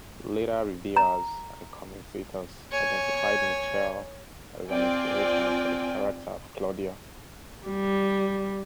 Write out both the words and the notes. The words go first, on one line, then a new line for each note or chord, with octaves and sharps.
Later reviewers and commentators identified Michelle as an inspiration for the character of Claudia.
A#5
C#5 G#5
C4 F4 D5 G5 G#5
G3